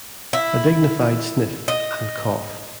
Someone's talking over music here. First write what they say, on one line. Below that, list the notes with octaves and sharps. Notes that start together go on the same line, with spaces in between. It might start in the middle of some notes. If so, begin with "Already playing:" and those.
A dignified sniff, and cough.
E4
D#5